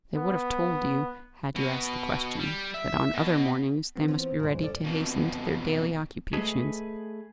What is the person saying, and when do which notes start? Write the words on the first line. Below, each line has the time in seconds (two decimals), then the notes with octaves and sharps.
They would have told you, had you asked the question, that on other mornings they must be ready to hasten to their daily occupations.
0.16 B3
1.56 B2
2.40 G3
2.74 E5
3.14 B2
3.96 E3 B3 C4
4.08 F3 C#4
4.39 C#2 G2 A#2 E3 C5
4.61 C#4 A4 D5
4.84 F2 B2
6.33 A3 G#4 B4 D#5